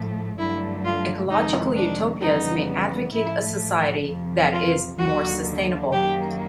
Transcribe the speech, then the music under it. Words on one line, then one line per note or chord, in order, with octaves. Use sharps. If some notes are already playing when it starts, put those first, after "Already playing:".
Ecological utopias may advocate a society that is more sustainable.
Already playing: A2 F3 A3
G2 D3 F#3 A3 E4
F4
F2 C3 D#3 G#3 D#4
D4
F2 C#3 E3 G3 B3 D#4
A2 F3 A3 E4
F2 C3 F3
F4
D#2 D3 F#3 A#3 F#4
F#2 D#3 F#3 A#3 G4